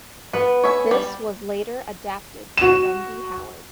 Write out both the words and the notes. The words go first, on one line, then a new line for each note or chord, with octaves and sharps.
This was later adapted by Wendy Howard.
B3 B4 F#5
C#5 E5 G#5
G3
F#4 E7